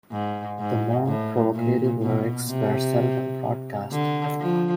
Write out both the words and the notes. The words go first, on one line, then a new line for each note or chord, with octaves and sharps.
The more provocative lyrics were seldom broadcast.
G#2
G#2
A2
A#2
B2
C3
D3
F3